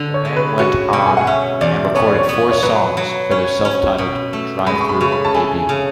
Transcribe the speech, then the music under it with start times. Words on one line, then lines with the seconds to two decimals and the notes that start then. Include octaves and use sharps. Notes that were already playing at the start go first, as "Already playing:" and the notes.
The band went on and recorded four songs for their self-titled Drive-Thru debut.
Already playing: D3
0.14 C#5
0.25 G#3
0.36 B4
0.59 C#4 F#4
0.93 B2
1.06 G#5
1.17 F#5
1.27 C#4 E5
1.61 E2 D5
1.95 B3 C#5
2.07 D5
2.19 C#5
2.29 B3
2.52 C#5
2.62 F#3 B4
2.97 F#3
3.31 C#4 C#5
3.65 C#4
3.98 B2
4.33 A3
4.67 G#3 B5
4.81 C#6
4.89 B5
5.01 C#3 C#6
5.12 B5
5.25 A5
5.34 A3 G#5
5.69 C#3